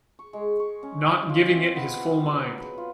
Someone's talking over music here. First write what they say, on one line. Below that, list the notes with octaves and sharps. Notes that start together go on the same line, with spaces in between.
Not giving it his full mind.
C#6
G#3
C#6
C#4
F4
C4
B3
F#3
B4
F4